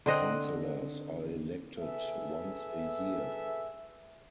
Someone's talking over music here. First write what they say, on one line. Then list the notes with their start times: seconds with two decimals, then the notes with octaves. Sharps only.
Counselors are elected once a year.
0.06 D3 C4 D#5 F#5
1.80 G#4 A4 B4 E5